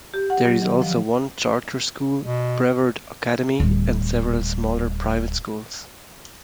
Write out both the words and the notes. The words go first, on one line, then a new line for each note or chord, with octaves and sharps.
There is also one Charter School, Brevard Academy, and several smaller private schools.
G4
F#5
F#3
D#3
F3
B2
D1 G3